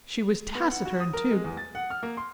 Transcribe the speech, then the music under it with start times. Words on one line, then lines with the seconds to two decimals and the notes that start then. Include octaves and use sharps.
She was taciturn, too.
0.55 B3
0.70 F#5
0.85 F#4
1.00 D#6
1.13 A#4
1.31 G#3
1.44 E2
1.57 A6
1.75 F#5
1.90 F6
2.03 A#3
2.17 C6